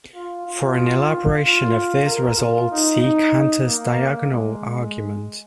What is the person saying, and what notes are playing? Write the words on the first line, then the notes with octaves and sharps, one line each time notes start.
For an elaboration of this result see Cantor's diagonal argument.
F4
F4
F4
A#4
F4
D#4
D#4
A#3
G#3